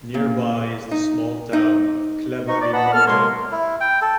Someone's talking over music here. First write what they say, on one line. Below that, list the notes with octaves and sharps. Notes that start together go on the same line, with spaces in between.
Nearby is the small town of Cleobury Mortimer.
A#2
D#4
D#4
C4 D#4 D#5 C#6
D5
B4 D#5 F#5 A5 B5
F#2 B3 A4 A5 F6
C2 C3 G#3 A#3 C#5 C6
E4
G5
A4